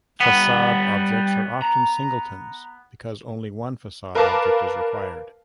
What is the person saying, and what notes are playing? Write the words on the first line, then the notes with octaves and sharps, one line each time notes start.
Facade objects are often Singletons because only one Facade object is required.
G3 B3 F#5
A#5
A#4 B4 F5 A5 D6